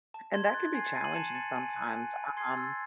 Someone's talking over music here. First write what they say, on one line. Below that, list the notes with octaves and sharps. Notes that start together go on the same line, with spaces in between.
And that can be challenging sometimes. Um,
A5
C6 G#6
F#6 A6
G#5 G#6 C7
A6 C#7
G#5 C7 D#7
D#7 F#7
A5 C#7 E7
A5 A6 C#7
G#5
F#6
G#5
G#5
C6 G#6 C7
A6
E6
A6